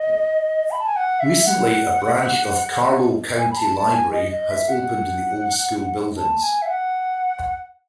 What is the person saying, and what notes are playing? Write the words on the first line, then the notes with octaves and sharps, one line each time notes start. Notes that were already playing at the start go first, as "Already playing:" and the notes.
Recently a branch of Carlow County Library has opened in the old school buildings.
Already playing: D#5
B5
A5
G#5
F#5
E5
F#5
G#5
B5
A5
A5
G#5
D#5
D#5
E5
F#5
A5
G#5
E5
F#5